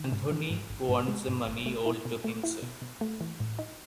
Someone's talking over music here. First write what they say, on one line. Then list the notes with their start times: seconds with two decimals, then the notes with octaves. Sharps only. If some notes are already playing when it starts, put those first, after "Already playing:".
Anthony wants the money all to himself.
Already playing: D#3
0.12 G#2
0.32 E3
0.50 G#2
0.70 G#1
0.89 G#2
1.08 G#3
1.28 G#2
1.47 G#1
1.66 A3
1.86 E4
2.05 B2
2.24 A3
2.44 E4
2.62 B2
2.82 B2
3.01 A3
3.21 E3
3.40 A2
3.59 D#4